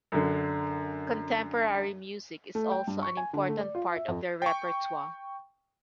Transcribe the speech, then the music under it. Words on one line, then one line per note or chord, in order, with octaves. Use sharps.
Contemporary music is also an important part of their repertoire.
F#2 D3
A3
G5
G2
C#6
G#5
D3
A3
D5
F4
E5
F2
G5 C#6